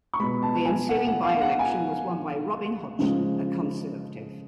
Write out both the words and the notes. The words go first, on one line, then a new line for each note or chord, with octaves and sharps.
The ensuing by-election was won by Robin Hodgson, a Conservative.
C#6
B2 G#3 B5
A5
G#5
F#5
F#5
F5
F#5
G#5
C#3 F3 G#3